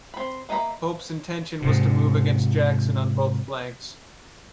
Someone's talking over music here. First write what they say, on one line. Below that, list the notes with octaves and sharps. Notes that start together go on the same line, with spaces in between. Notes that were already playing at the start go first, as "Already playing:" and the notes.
Pope's intention was to move against Jackson on both flanks.
C4 B5
A#3 D#5 E5 A#5 B5
G#2 C3